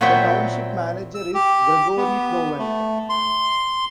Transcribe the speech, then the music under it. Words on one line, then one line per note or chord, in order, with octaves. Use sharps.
The Township Manager is Gregory Prowant.
A#2 F#3 B3 C4 E5 G5
E6
G4
B3
A3
C6